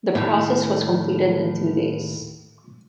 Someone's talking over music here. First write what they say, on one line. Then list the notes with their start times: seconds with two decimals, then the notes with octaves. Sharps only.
The process was completed in two days.
0.15 D#2 A2